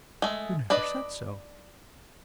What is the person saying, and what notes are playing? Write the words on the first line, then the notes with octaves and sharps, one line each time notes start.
"You never said so."
G#3 A3
D4 B4 D5 D#5